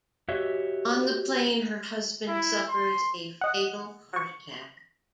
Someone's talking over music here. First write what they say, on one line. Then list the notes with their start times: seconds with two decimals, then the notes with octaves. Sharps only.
On the plane, her husband suffers a fatal heart attack.
0.29 F#4 G4 C#5 D#5 E5
2.28 E4
2.69 C6
3.41 D#5 F#5
4.16 C#6